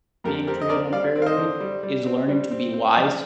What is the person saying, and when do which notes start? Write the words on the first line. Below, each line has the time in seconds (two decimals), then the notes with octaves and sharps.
being treated unfairly, is learning to be wise.
0.24 F2 G4 A#4
0.47 C4 G4 A#4
0.61 D#5
0.69 C4 A#4 D5
0.92 G3 D5 F5
1.15 C4
1.22 F5
1.26 C5 D#5
1.38 D3
1.60 G3
1.83 G3
2.06 C4
2.28 G3
2.51 C4
2.73 C4
2.96 F3 D5 F5